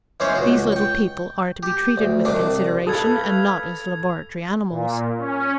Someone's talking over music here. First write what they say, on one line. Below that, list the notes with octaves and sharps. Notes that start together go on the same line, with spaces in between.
These little people are to be treated with consideration, and not as laboratory animals.
E3 G#3 C#4 G#4 C5 C#5
C#2 F#4
G5 C#6
G4
D2
C2 D#3 D4 D6
A3 A4 B4 F5 D#6 G#6
A#2
C#4